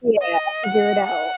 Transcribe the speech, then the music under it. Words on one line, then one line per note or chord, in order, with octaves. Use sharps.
yeah, figure it out.
D#5
F#5
F#5